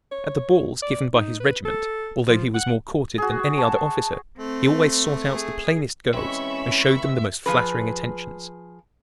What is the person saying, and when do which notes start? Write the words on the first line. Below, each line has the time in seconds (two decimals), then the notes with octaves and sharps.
At the balls given by his regiment, although he was more courted than any other officer, he always sought out the plainest girls and showed them the most flattering attentions.
0.12 C#5
0.82 D5
1.15 D#4
1.40 B4
1.65 A4
2.29 F3
2.54 F#5
3.18 F#4 G#4
3.58 A5 C#6
4.38 A3 C4
5.34 G#4
6.14 E3 G#3 C4 C#4 E5 B5 C#6
7.46 F3 G#4 B4